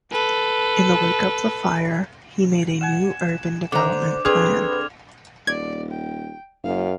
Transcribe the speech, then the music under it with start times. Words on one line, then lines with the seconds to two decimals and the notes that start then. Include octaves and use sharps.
In the wake of the fire, he made a new urban development plan.
0.12 A4 B4
2.81 F#5 G#5 E7
3.72 D3 C5 A#5 D6
4.25 D3 C4 G#4 B4 F6 G#6 F7
5.47 D#1 D5 G#6
5.91 G5
6.64 F#1 F#2 F5